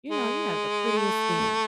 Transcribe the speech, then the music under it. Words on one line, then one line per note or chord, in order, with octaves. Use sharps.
"You know, you have the prettiest skin,
G#3
A3